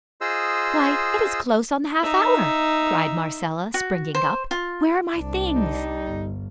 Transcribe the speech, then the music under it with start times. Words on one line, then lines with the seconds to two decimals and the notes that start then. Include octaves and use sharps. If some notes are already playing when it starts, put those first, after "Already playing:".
"Why, it is close on the half-hour!" cried Marcella, springing up. "Where are my things?"
0.21 F4 G#4 C5 D#5 E6
2.02 D#4 E5
3.74 F#4
4.15 C5
4.51 F4
5.16 C2 D4
5.54 G3 D#4
6.05 G1